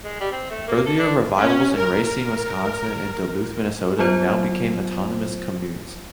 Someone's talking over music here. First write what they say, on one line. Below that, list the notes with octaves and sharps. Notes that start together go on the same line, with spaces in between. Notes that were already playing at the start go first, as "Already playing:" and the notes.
Earlier revivals in Racine, Wisconsin, and Duluth, Minnesota, now became autonomous communes.
G#3
G3
C4
A3
A#3
A4
D4
C#4
A#4
A#4
F#3 B3 F4 C5